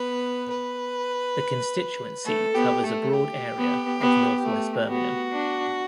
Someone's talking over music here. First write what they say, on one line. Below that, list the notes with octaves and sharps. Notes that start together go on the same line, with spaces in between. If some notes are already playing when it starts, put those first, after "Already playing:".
The constituency covers a broad area of north-west Birmingham.
Already playing: B3 B4
B4
A3 A4
B3 G4
A3 A4
G4
B3
B3
A3
B3 F#4
D4